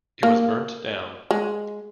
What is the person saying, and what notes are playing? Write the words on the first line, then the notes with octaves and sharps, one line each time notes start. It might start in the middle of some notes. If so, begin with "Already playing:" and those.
It was burnt down.
A#3
G#3